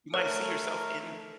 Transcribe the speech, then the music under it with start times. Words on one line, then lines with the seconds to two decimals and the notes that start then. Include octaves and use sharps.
You might see yourself in
0.14 A3 A#4 C#5